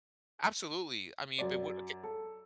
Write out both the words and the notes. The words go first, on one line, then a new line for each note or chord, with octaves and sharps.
Absolutely, I mean, but what okay.
F#2 D5
A4